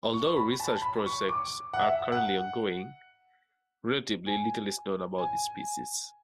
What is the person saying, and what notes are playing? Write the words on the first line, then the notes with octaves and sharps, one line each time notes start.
Although research projects are currently ongoing, relatively little is known about this species.
C#6
B5
A5
B5
C#6
D6
F#5
E5
F#5
G#5
G#5